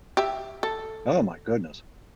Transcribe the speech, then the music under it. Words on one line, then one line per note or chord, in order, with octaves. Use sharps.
Oh, my goodness.
G4 E5
A4